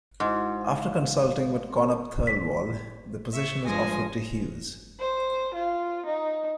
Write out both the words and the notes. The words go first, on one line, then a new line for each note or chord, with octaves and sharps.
After consulting with Connop Thirlwall, the position was offered to Hughes.
G#2 E4 F#4 C5
F5
C4 A#4 A5
B6
E5 C#6
G2 F3 G#3 G#5 A#6
C5
F4
D#4